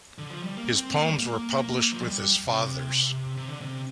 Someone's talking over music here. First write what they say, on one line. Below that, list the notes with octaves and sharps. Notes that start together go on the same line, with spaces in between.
His poems were published with his father's.
D3
F3
G3
A#3
C4
C4
A#3
G3
A#3
F3
G3
C3
C3
D3
C3